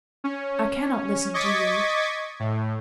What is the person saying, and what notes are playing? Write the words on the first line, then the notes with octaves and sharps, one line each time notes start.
I cannot listen to you.
C#4
D#5 C#6 D6 G#6 A6 B6
A2